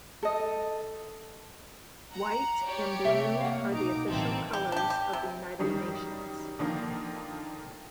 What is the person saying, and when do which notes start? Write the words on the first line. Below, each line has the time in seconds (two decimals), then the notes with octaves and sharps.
White and blue are the official colours of the United Nations.
0.22 A4 D#5
2.11 F#5 A#5
2.65 G4 C#5 D5
3.05 C3 A3 E5
3.40 A#3 F5 F#5
3.71 B2 D#4 A#5 D6
4.08 A1 E3 A#3 C4 A4
4.53 G4
4.72 D4 G4
4.90 G4
5.13 C3
5.59 F#2 D#3 G3
6.59 D3 D#3 F3 A#3